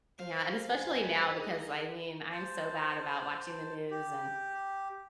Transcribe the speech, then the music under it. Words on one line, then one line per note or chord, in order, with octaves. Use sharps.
Yeah, and especially now because, I mean, I'm so bad about watching the news and
C5 F5
F2 G#5
G2 B3
D#4 G#4
C5 A5
G4